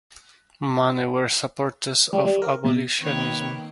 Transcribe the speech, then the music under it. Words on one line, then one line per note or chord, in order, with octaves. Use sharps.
Many were supporters of abolitionism.
G3
G3
A#4
B2
D#3 A#3 C4 B4 C#5